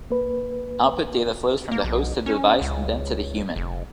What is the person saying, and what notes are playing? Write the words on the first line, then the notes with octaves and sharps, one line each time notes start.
Output data flows from the host to the device and then to the human.
A#3 B4
A#3
B1
C#4
C#2
F1